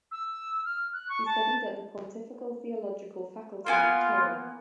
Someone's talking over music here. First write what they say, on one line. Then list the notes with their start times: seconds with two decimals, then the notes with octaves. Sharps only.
He studied at the Pontifical Theological Faculty of Turin.
0.12 E6
0.65 F6
0.93 F#6
1.09 C#6
1.26 A5
3.66 A#3 B3 F4 G#5